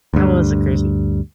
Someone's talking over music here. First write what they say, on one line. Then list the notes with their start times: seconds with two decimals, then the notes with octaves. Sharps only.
that was it crazy
0.14 D2 G2